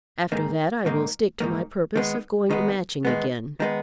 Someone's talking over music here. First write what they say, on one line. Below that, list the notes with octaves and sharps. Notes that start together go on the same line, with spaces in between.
After that I will stick to my purpose of going to Matching again.
G#2 D#3 A#3
G#2 D#3 A#3
G#2 D#3 A#3
D#3 G#3 B3
D#3 G#3 B3
D#3 G#3 B3
D#3 G#3 B3